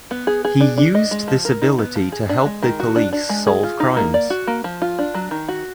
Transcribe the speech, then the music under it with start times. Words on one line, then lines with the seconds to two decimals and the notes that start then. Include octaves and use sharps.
He used this ability to help the police solve crimes.
0.11 B3
0.27 G#4
0.45 G#4
0.60 D4
0.78 D4
0.95 D#5
1.11 G#3
1.28 F3
1.45 A#4
1.62 D#4
1.79 B3
1.95 F3
2.12 G#4
2.29 D4
2.46 G#3
2.62 D#3
2.80 F#4
2.96 D4
3.13 D4
3.29 G#3
3.47 G#4
3.63 F4
3.80 D#4
3.97 A#3
4.14 D5
4.30 F#4
4.47 A#3
4.64 F3
4.82 F4
4.99 D4
5.14 F#3
5.31 D#3
5.48 F#4